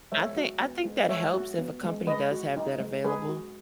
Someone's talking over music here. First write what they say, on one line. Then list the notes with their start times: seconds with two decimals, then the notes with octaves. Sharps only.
I think I think that helps if a company does have that available,
0.12 G#3 C#5 E5
0.37 F#4
0.60 B3
0.85 G#3
1.09 G#3 C#5 E5
1.34 F#4
1.58 B3
1.83 G#3
2.07 G#3 B4 D#5
2.31 F#4
2.56 D#4
2.80 G#3
3.05 G#3 G#4 B4
3.29 F#4